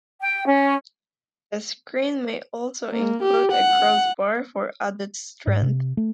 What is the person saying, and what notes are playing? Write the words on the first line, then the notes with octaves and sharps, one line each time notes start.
The screen may also include a crossbar for added strength.
G5
C#4
A#3
G4
F#5
G#2
C3
A3